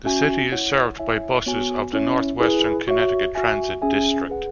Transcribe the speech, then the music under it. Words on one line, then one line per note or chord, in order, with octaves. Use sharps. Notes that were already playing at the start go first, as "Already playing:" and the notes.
The city is served by buses of the Northwestern Connecticut Transit District.
C#4 F#4 E5 G#5
E4 C#5 F#5
E4 C#5 E5 G#5
B3 F#4 C#5 G#5
C#4 E4 C#5 E5
E4 G#4 B4 G#5
F#4 C#5 E5
F#4 E5 G#5
C#4 G#4 E5 G#5
G#4 B4 F#5